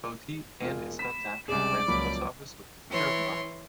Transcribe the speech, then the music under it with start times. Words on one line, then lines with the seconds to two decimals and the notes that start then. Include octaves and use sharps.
Both he and his sons after him ran the post office with sterling honesty.
0.61 E1 F4
0.99 B5 B6 E7
1.48 C#2 C3 G3 G#4 D5 D6 E7
1.88 C#2 F3 F#3 A#3 B5
2.90 E3 C#5 C6